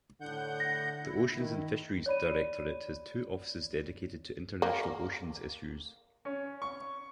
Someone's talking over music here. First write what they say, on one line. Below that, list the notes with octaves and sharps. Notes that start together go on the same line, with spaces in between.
The Oceans and Fisheries Directorate has two offices dedicated to international oceans issues.
A2 D3 F#5 G6
A#6
E4
D#3
C#5 D5 B5 D#7
A#3
C#4
C#6